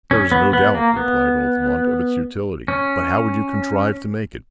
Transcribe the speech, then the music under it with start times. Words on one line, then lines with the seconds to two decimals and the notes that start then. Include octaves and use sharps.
"There is no doubt," replied Altamont, "of its utility; but how would you contrive to make it?"
0.11 C#4
0.32 B3
0.53 B3
0.75 A#3
0.97 B3
2.68 C#4